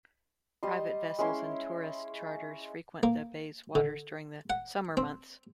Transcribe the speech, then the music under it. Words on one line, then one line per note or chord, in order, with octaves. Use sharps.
Private vessels and tourist charters frequent the bay's waters during the summer months.
G3 D#5 C6
G#3 C#4 E4 C6
A#3
D3
F#5
C4